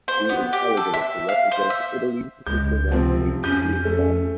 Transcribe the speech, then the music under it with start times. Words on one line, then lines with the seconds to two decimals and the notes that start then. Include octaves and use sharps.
He is eligible to represent Italy internationally through his father.
0.08 C5
0.29 B3
0.53 G4
0.77 A4
0.94 E5
1.29 F5
1.51 C5
1.70 E5
2.47 C#2 G#3 G6
2.91 C3 F3 C4
3.44 F2 C#4 G6
3.85 A3